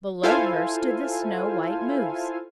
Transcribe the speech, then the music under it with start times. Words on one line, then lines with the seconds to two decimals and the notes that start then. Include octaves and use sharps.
Below her stood the snow white moose.
0.23 E4 F4 A4 C5 F5 G#5